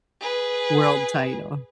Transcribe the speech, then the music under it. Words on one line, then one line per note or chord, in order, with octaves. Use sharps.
world title.
G#4 B4